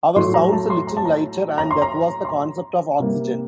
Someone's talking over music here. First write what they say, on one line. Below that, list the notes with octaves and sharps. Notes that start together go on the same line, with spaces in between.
Our sound's a little lighter and that was the concept of "Oxygen".
A2 F#3 A3 C6
A#5
A5
C6
A#5
A5
A#5
A#5
C6
A#5
C6
A#5
C3 G3 A#3